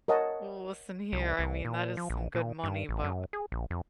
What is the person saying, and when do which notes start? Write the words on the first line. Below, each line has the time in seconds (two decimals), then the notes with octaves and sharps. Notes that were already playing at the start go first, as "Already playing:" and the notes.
Well, listen here, I mean, that is some good money, but
0.08 A#4 C#5 D#5 F#5 A5
1.13 C2
1.39 C2
1.65 A#2
1.97 F3
2.10 A#1
2.34 A#2
2.64 G2
2.89 A1
3.04 F#2
3.33 G#4
3.52 A#1
3.70 F2